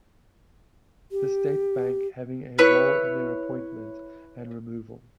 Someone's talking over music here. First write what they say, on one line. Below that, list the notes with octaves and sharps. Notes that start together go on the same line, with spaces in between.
The State Bank having a role in their appointment and removal.
G4
E4 B4 C#5